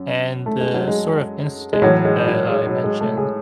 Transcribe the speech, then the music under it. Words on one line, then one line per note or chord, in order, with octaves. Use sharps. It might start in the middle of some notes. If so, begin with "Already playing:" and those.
and the sort of instinct that I mentioned.
Already playing: F#2
A3
G#3
F#3
G#3
G#3
A2 E3 F#3
G#3
F#3
G#3
F#3
G#3
A3
G#4